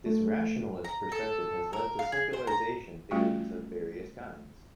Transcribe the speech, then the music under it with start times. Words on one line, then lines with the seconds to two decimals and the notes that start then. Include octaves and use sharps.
This rationalist perspective has led to secularization theories of various kinds.
0.06 A3
0.84 A#5
1.12 A4
1.73 A#4
1.99 F5
2.12 G#4
2.33 C5
2.47 A#5
3.11 G3 A3 C#4 F4 F#4 G5